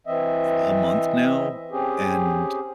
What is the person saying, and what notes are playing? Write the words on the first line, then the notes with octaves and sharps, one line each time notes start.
a month now, and
E3 C4 D#5 E5
C4 C#4 G4 G#4